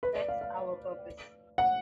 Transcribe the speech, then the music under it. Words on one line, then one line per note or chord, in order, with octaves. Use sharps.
That's our purpose.
B4
D5
F5
F5
F#5